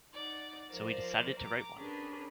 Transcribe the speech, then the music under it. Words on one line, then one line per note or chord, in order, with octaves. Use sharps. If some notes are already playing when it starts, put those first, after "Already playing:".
So he decided to write one.
D#4 D5 F#5
F3 A#4 C5 D5
A#5 D6
C#4 D4 G4 G#4 A#4 B4